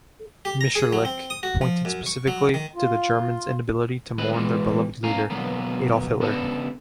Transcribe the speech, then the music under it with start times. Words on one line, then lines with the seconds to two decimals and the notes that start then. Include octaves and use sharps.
Mitscherlich pointed specifically to the Germans' inability to mourn their beloved leader, Adolf Hitler.
0.45 G4
0.61 A#5
0.75 G#4
0.93 F#3
1.05 C4
1.30 D#6
1.43 F#4
1.61 F3
1.85 F#2
2.06 C#6
2.27 F#3
2.54 D#3
2.76 F4
4.18 D#2 G#3 C4 B4 B5
4.33 B2 D#3 E3 G3 G#3
5.04 B1 A3 C#4 F5 G#5 A#5
5.30 B2 D3 F3 F#3 A#3 B3
6.20 C#3 B3 D4 G4 A4